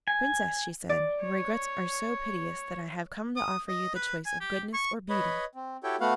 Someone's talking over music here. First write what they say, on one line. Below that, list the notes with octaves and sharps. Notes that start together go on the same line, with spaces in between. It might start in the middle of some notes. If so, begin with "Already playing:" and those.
'Princess,' she said, 'your regrets are so piteous that I have come to offer you the choice of goodness or beauty.
G#5
D5
C#5
D#6
D#5
B4
G#5
G4
C#6
B4 C#5 D#5 B5
C4
E4 F#4 G4 A4 C#5 G5
A3 B3 F#4 F5 F#5